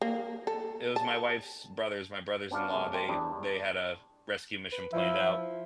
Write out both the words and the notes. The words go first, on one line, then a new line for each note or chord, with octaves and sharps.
it was my wife's brothers my brothers-in-law, they they had, uh, rescue mission planned out
A#3
A4
A5
B3 C#4 D4 F#4 D5 F5
C3 F#3 G#3 A3
A3 C4 C5
E2 G3 D4
B4
F3 E4